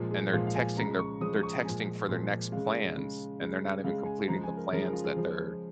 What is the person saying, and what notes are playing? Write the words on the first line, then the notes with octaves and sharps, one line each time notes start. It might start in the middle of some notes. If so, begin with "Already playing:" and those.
and they're texting their they're texting for their next plans, and they're not even completing the plans that they're
Already playing: A#2 F3 G#3
G#4
A#2 F3 G#3 F5
F5
G#5
C#3 F3 G#3 A#5
C#6
C#3 F3 G#3 D#6
C#6
A#2 F3 G#3 G#5
A#2 F3 G#3
C#3 G#3 F5
C#3 G#3
C#3 G#3
C#3 G#3 F5
G#5
C#3 F3 G#3 A#5
G#5
A#4
C#3 F3 G#3 A#4
G#4
F4
G#4
C#3 F3 G#3